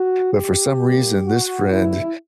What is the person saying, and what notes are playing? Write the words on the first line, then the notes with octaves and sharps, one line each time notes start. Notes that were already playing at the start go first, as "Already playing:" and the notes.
but for some reason, this friend
Already playing: F#4
G4
A#2 G3 A#3
F#4
C#3 E3 G3 B3 E4